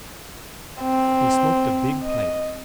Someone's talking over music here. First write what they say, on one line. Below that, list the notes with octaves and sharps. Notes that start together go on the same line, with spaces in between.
He smoked a big pipe.
C4
D#5